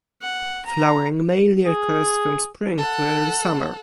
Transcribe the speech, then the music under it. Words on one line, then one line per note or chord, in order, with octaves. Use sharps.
Flowering mainly occurs from spring to early summer.
F#5
A#5
G#4
A4 F#5